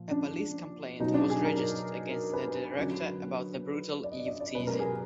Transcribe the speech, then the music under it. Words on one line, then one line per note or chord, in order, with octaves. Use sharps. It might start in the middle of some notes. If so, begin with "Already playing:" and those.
A police complaint was registered against the director about the brutal eve teasing.
Already playing: A#2 F3
D4
B2 F#3 D#4
D4
G#4
A#4
B4
D3 F#3
D5
D#5
D5
D5
B2 F#3 B4
A#4
G#4